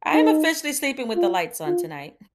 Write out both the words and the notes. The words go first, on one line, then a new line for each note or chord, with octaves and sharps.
I am officially sleeping with the lights on tonight.
D#4
F4
F4